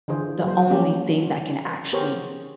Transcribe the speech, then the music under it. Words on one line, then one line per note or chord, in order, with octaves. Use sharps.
the only thing that can actually
D3 E3 F4 G#4 C5
F#3 A#3 C5
F3 G3 A#3 B3 C#4 G4
F4 F#4
B3 G4 G#4 A#4 C5 C#5